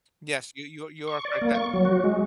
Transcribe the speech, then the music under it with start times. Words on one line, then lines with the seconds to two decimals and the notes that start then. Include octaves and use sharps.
Yes, you you are you are correct, that
1.08 C#6
1.25 D5
1.41 A#3
1.54 C#6
1.73 F#3
1.85 F#4
2.04 G#3